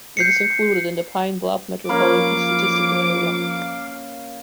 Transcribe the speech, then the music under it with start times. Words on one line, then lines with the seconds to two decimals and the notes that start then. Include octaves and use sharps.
It is included in the Pine Bluff Metropolitan Statistical Area.
0.17 G6 C7 C#7
1.89 F3 A#3 C#4 F5 B5 D6